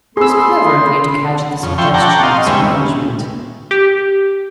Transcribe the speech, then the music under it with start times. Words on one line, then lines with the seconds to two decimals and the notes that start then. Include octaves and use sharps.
It was clever of you to catch at the suggestion of this arrangement.
0.17 G#4 A4 B5 C6 D#6 E6
1.63 F2 C#3
1.78 F3 E5 G5 C6 C#6
1.94 F#5 G5 A5 A#5 C#6 D6
2.23 D#5 F5 C6
2.46 D#2 G3 G#3 B3 C#5 E5
3.71 G4